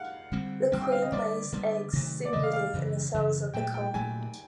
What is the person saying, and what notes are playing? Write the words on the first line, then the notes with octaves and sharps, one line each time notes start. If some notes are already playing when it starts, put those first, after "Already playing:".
The queen lays eggs singly in cells of the comb.
Already playing: F5 F#5
D3 G3 C4
D3 G3 C4 G5
G5
F5
D#5
D3 G3 B3 D5
D3 G3 B3
C3 D#3 F#3 A3
D5
C3 D#3 F#3 A3 D#5
F5
F5
F#2 C#3 E3
F#2 C#3 E3
A#2 F#3 A3 G5
G5
A#2 F#3 A3 G#5